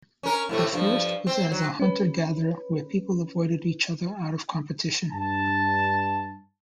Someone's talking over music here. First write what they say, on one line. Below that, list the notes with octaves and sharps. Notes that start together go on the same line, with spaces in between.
The first was as a hunter-gatherer where people avoided each other out of competition.
C#4 A#4
A2 C3 A3
G2 F3
C4
F#3
C#4 B4
G2 A5